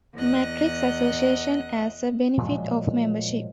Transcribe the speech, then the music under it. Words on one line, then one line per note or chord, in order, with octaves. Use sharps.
Metric Association as a benefit of membership.
E2 D#5 F#6
A#2 F3 F#3 G#3